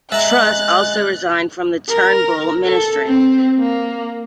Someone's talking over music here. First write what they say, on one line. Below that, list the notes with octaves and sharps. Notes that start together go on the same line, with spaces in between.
Truss also resigned from the Turnbull Ministry.
G#3 E5 A#5 F#6 A6
A#4
A4
C4
A#3